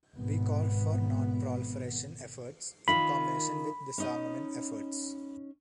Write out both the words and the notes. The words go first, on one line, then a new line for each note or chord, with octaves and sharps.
We call for non-proliferation efforts in combination with disarmament efforts.
G#1 B2 B3
D#3 F4 B5
C#4 D#4 D#5